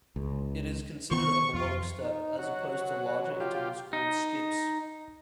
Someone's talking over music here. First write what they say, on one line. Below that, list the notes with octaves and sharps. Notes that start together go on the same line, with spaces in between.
It is considered a melodic step, as opposed to larger intervals called skips.
C#2
D#3 B3 C4 C#6
F2 F4
D#4
F#3 F#4
F4 G4
D#4